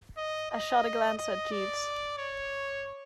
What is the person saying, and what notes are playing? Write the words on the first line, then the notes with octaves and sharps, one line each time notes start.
I shot a glance at Jeeves.
D#5
D#5
D#5
D5
C#5